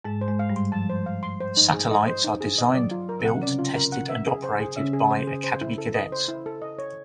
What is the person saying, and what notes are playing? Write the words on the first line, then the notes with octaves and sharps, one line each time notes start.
Satellites are designed, built, tested, and operated by Academy cadets.
G#2 G#3 A5
C5
G#2 G#3
F5
G2 G3
C6
F3 A5
C5
F5
C6
C5
D#4
G#4
D#5
C5
D#4
G#4
D#5
F#3 D5
F4
A#4
C3 C4
F#5
C#3 C#4 D5
F4
A#4
F#5
E5
G#4
C5
G#4
C#3 C#4 E5
G#4
C5
G#4
C5
E4
A4
D#5
C5
E4
A4
D#5
C#5